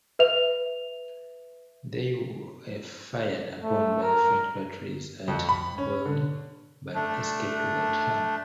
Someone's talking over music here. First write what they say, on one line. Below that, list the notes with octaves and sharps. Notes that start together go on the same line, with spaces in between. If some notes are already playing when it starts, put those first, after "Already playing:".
They were fired upon by the French batteries at Boulogne but escaped without harm.
B4 E5 F7
A3
A#4
F2
B5
C#4
D3
A3 D4